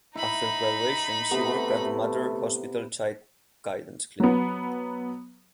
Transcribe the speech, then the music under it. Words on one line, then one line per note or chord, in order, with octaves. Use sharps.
After graduation she worked at the Mater Hospital Child Guidance Clinic.
D#4 E4 B5
C3 A3 B3
F#3 B3